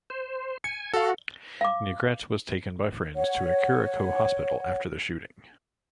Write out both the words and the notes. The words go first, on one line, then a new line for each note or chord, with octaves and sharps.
Negrete was taken by friends to a Curico hospital after the shooting.
C5
G#5 C#7
F#4 A4 F5
F5 D6
C#5 F#5